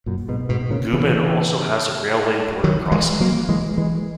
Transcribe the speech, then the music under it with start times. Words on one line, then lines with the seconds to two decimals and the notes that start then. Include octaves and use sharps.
Gubin also has a railway border crossing.
0.06 F#2 A#2
0.28 G#2 B2
0.49 G#2 B2
0.70 A#2 C#3
0.93 C#3 E3
2.64 D#3 F#3
2.92 E3 G#3
3.20 F#3 A#3
3.49 E3 G#3
3.77 E3 G#3